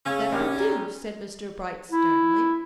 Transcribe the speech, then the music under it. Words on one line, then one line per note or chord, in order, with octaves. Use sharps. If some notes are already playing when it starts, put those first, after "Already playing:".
"That will do," said Mr. Bright sternly.
C#3 C#4 G#4 F5 E6
A#1 G4 A#4 F6
G#4 D5 A#5
G5
E4